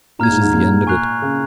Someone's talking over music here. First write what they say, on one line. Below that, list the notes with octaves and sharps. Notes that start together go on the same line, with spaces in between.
This is the end of it.
A#2 A#5 F6 G#6
G#2
G#2
A#2
G#5 C#6 F#6 C7 F7
C#3